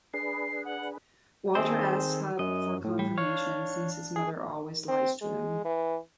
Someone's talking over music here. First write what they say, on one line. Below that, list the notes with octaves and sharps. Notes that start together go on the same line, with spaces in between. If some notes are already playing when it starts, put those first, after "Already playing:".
Walter asks Hub for confirmation, since his mother always lies to him.
D4 G#4 B4 C7
F#5
D#3 C4 G#4 A4 C5
F#2 D#5
A2
G3
D4 C#5 F5
G#4
C4
G#3
E3